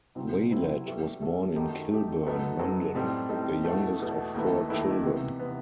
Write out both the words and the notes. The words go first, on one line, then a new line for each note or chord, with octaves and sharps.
Waylett was born in Kilburn, London, the youngest of four children.
C2 C3 F#3 C4 E4
C2 C3 F#3 C4 E4
G3 B3 F#4 A4 E5
G3 B3 F#4 A4 E5
F#2 D#3 A3 D#4 G4
F#2 D#3 A3 D#4 G4
F#2 F#3 B3 D#4 A4
F#2 F#3 B3 D#4 A4
A2 G3 C4 D#4 A4
A2 G3 C4 D#4 A4
E2 B2 A3
E2 B2 A3
D#2 D#3 A3 E4 B4
D#2 D#3 A3 E4 B4
C3 E3 B3
C3 E3 B3